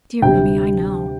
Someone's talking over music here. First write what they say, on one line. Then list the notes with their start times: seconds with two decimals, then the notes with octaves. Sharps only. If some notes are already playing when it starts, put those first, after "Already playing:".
"Dear Ruby, I know."
0.22 D2 C3 G3 G5